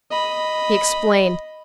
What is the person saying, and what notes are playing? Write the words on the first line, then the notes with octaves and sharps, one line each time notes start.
He explained.
D#5 B5